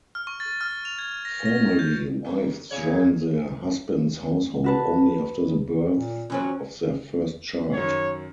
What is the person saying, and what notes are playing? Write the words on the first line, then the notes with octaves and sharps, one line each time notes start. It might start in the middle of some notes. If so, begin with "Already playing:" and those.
Formally, wives join their husband's household only after the birth of their first child.
F6
C#6
A6
F6
F7
G#6
A#6
A#6
G6
A#3
A#2 C#3 C#5
F#4 B4 A5
A#2
E2 F#3 C4 C#4
F#2 D#3 C#5